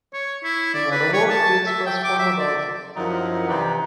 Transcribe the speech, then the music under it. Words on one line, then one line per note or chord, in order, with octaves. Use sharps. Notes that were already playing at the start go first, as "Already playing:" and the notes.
In other words, they express polymodality.
C#5
E4
D5
B4
C#5
A5
E5
G5
D6
E5
D5
F#2 F3 D#4 E4 A#4 F#5
C3 E3 D#4 B4 C5 D5